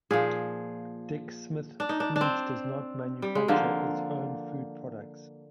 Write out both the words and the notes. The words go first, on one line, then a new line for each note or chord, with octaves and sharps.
Dick Smith Foods does not manufacture its own food products.
A#2 F3 G#4
D4
D#4
D4
D4
C4
G3
G#3
D3 F3 A#3